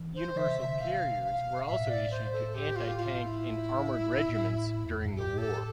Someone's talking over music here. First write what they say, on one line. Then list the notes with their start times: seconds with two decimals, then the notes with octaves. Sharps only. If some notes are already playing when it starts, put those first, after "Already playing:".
Universal Carriers were also issued to anti-tank and armoured regiments during the war.
Already playing: E3
0.15 C5
0.36 D3 E5
0.48 C3
0.59 D3 E5
0.80 B2 F5
1.24 F5
1.67 A2 E5
1.89 D5
2.11 C5
2.33 A4
2.55 G4
2.76 F4
2.98 F4
3.19 F4
3.24 E4
4.29 A2
4.85 E2
4.96 F2
5.05 G2
5.15 A2 G4
5.38 A4